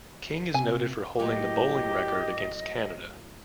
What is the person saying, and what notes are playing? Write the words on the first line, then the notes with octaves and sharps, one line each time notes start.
King is noted for holding the bowling record against Canada.
C3 G#5
A2 F#3 A#3 G4 D#5